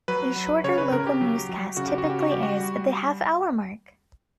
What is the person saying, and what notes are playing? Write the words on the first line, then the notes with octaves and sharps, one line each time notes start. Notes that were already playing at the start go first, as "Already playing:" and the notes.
A shorter local newscast typically airs at the half-hour mark.
F#3 B4
F#3
C#3 C#5
B4
C#3 A#4
G4
F#3
F#3
C#3 F#4
G4
F#4
C#3
G4
F#4
G3 G4
F#4
G3